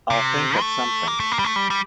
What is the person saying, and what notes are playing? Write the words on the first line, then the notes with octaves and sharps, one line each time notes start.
I'll think of something.
C3
A3
A#3
A3
A#3
G3
A3
G3
G3